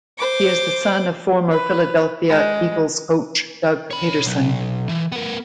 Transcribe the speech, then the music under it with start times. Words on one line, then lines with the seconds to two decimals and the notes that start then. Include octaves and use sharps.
He is the son of former Philadelphia Eagles coach Doug Pederson.
0.18 C5 D6
1.50 B4
2.29 G#3
3.91 C#5 B5
4.26 B1
4.89 E3
5.12 B3 A#4